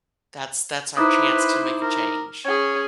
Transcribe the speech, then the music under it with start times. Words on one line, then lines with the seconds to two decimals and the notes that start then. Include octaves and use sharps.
that's that's our chance to make a change.
0.97 D#4 E4 B4 C5 D6 D#6
1.82 A#4
2.45 C#4 G#4 C#5